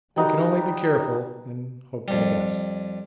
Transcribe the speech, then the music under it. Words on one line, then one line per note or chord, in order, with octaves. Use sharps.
One can only be careful and hope for the best.'
G3 D#4 F#4 A#4
F2 G3